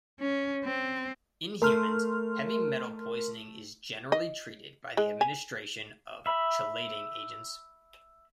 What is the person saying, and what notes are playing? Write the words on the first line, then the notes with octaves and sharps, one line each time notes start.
In humans, heavy metal poisoning is generally treated by the administration of chelating agents.
C#4
C4
A3 A#4 C6 F6
D#5
G#3
G#5
E5 B5